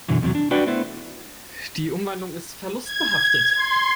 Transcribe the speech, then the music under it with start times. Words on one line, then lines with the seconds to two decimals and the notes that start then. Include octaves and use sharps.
Die Umwandlung ist verlustbehaftet.
0.08 F#2 B2 D3 E3
0.22 E2 C3 F3 F#3
0.35 D4
0.51 D4 F#4 B4 D5 G5
0.67 A3 B3 E4 B4 C5
2.84 G#6
3.55 C6